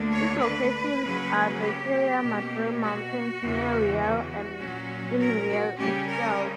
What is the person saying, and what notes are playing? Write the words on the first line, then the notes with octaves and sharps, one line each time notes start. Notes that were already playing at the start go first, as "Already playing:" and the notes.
Its locations are the Sierra Madre mountains near Real and in Real itself.
Already playing: D2 D3 A#3 D4
C#5
B4
C#3 F#3 A#3 C#4
G4
B2 A#3 C#4
F#4
E2 C#3 E3
F#4
A#2 F#3 C#4
A#4
F#4
C#3 G3 C#4 G4
A#4